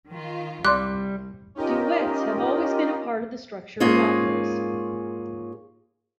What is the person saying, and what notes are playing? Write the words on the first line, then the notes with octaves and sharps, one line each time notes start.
Duets have always been a part of the structure of operas.
D#3 F4
C2 G3 D5 C6 D6 F#6
C#4 D#4 F4 G4 A#4 D#5
G#2 A#3 C#4 F4 G#4 C#5